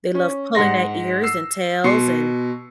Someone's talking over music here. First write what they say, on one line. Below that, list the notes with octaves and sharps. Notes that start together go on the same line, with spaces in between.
They love pulling their ears and tails and,
C#4
G#2 F#5 C6 A#6
E6 C7
B2 C6 C7 C#7